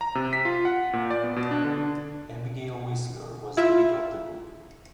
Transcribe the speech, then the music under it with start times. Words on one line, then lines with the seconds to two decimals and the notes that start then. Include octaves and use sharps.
Abigail Whistler was the leader of the group.
0.01 A#5
0.15 C3
0.33 B6
0.45 F4
0.65 F#5
0.93 A#2
1.11 D5
1.24 B3
1.36 B2
1.51 D4
1.64 D3
1.78 D4
3.57 E4 F4 E5